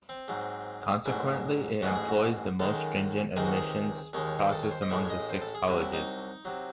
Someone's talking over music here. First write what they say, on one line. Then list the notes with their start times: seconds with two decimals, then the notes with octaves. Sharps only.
Consequently, it employs the most stringent admissions process among the six colleges.
0.09 C4
0.28 G#2 F#3
1.05 A1 G#2 F#3 E4
1.82 A1 G#2 E3 G#3 F#4
1.95 G#4
2.08 F#4
2.59 F#2 D#3 G#3 A4
3.36 C#2 C3 D#3 G#3 G#4
3.46 F#4
3.56 G#4
4.13 D#2 D#3 G#3 C#5
4.27 C#5
4.39 C5
4.52 A4
4.63 C#5
4.71 C5
4.82 D#5
4.90 A1 A2 G#3 E5
5.05 C#5
5.10 D#5
5.30 C5
5.42 A4
5.55 G#4
5.67 C2 C3 F#3 E4
5.80 E4
5.93 D#4
6.45 C3 F#3